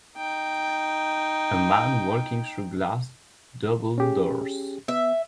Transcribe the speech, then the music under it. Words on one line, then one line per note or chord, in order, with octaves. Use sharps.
A man walking through glass double doors.
D#4 G5
C#4 G4 G#4
B3 E5